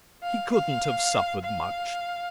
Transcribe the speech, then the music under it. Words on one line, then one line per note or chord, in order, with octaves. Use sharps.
He couldn't have suffered much.'
F5
F5
F5